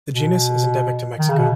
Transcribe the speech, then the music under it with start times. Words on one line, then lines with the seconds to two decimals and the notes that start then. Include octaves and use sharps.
The genus is endemic to Mexico.
0.12 B2
1.19 D#3
1.29 C#3
1.38 B2